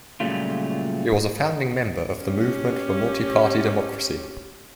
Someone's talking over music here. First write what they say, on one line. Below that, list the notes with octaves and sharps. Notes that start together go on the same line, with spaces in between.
He was a founding member of the Movement for Multiparty Democracy.
A#2 C#3 F#3 G3 A3 F4
C#4 G4